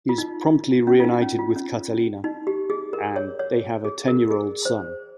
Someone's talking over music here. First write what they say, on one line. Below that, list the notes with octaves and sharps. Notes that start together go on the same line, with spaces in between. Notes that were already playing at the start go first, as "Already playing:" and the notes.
He is promptly reunited with Catalina, and they have a ten-year-old son.
F4
D#4
C#4
F4
D#4
C#4
F4
C#4
D#4
G4
G#4
A#4
C#5
C#5
G#4
A#4
G#4
C5